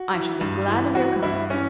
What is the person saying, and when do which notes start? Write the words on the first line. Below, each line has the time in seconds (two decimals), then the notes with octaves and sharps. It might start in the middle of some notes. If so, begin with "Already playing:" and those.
"I shall be glad of your company."
Already playing: F#4
0.14 E3
0.41 G2
0.68 E3
0.95 E3 F#4
1.23 G2 E4
1.50 E3 C#4